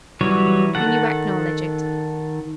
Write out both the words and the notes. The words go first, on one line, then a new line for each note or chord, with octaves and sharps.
"Then you acknowledge it?"
E3 F#3 G3 C#5
D#3 A4 F#5